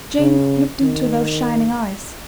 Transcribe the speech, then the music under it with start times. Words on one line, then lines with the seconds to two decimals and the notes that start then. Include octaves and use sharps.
Jane looked into those shining eyes.
0.19 C#3
0.82 D#3